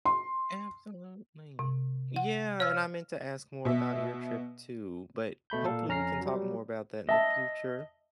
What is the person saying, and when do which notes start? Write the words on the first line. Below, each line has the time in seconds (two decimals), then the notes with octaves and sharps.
Absolutely. Yeah, and I meant to ask more about your trip too, but hopefully, we can talk more about that in the future.
0.05 C6
1.59 C3
2.16 F#5
2.60 C#5 F5 E6
3.65 B2 E5
5.50 B2 A3 B5 G6
5.65 A#2 A4 F5
5.88 F2 C#4 A#5 F6 A#6 C7
6.21 F#3 G3
7.09 D#5 E5 A5